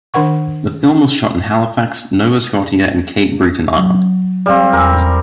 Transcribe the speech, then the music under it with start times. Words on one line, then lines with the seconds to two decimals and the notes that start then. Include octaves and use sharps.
The film was shot in Halifax, Nova Scotia and Cape Breton Island.
0.14 D#3 D4 A#4 F#5 C#6
3.76 F#3
4.46 G3 C4 D5 F5
4.73 E2 A#4 G#5 E6